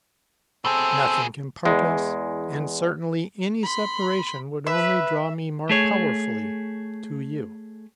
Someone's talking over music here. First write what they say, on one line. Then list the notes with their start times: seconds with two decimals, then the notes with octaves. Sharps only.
Nothing can part us; and certainly any separation would only draw me more powerfully to you.
0.65 B2 C4 G#4 A4
1.65 E2 G#3
3.63 B5 C6
4.67 B4 E5
5.69 A3 G#4 C#5